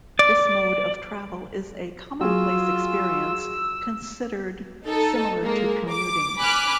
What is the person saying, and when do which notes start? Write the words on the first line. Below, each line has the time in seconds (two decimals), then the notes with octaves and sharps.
This mode of travel is a commonplace experience, considered similar to commuting.
0.19 D5
2.21 F#3 F4 G#4 E6
4.86 D#4 A4
5.42 G#3 A#3
5.91 D6
6.39 G#5 B5 D6 F6 F#6